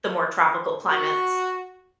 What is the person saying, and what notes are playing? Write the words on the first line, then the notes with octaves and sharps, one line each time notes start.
the more tropical climates.
F#4